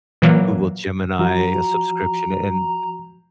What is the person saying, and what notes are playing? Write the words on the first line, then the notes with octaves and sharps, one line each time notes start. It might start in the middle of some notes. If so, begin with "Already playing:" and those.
Google Gemini subscription, and
A#2 E3 F#3 A#3
F3 F#4 A#5